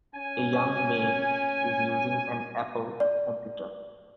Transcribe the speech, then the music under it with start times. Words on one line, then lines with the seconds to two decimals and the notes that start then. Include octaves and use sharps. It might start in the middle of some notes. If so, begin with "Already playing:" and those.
A young main is using an Apple computer.
0.16 C#4 G#5
3.00 D5